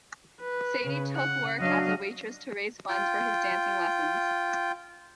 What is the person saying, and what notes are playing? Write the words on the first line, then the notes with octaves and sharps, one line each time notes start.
Sadie took work as a waitress to raise funds for his dancing lessons.
B4
C#3
F#5
F#3 D4 D#5 F5
F4 G5